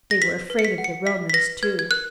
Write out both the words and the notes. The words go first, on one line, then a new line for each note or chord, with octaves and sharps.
They were afraid of the Romans too.
A#6
B4 B6
B4
C#7
B6
F#5
C#7
E5 B6
B6
B4 A#6
B4 G#6
G#6
A#4 F#6